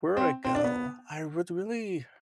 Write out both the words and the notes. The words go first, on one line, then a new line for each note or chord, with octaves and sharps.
where would I go? I would really
C4
C4
D4
B3